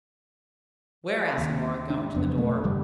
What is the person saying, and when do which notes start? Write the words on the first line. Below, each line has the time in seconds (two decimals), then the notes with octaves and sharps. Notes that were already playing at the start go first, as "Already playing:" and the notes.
"Where?" asked Nora, going to the door.
1.38 D#2
1.90 D4
2.15 F#1 F2 B3
2.38 B2 A3
2.64 F#1 G2 D3 G3